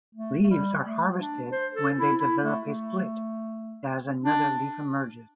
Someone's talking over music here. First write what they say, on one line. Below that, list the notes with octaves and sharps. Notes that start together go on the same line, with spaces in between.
Leaves are harvested when they develop a "split" as another leaf emerges.
A3
A3
G3
A3
D4
C5
A4
E4
E4
A3
A3
D4